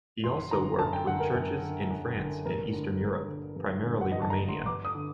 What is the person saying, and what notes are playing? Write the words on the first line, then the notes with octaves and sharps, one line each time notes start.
He also worked with churches in France and Eastern Europe, primarily Romania.
F#2 C6
D3 A#5
F#2 A5
G5
D3 F#5
A#4
F#2
D3
F#2
D3
G2 A#4
D3
G2
D3
G2
D3
F#5
G2 D#5
A5
A#5
D3
C6
G2 D6
D#6
D3